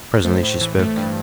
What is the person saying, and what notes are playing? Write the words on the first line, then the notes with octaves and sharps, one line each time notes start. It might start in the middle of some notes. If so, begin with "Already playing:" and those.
Presently she spoke.
A3 C5
A2
E3
A3
G2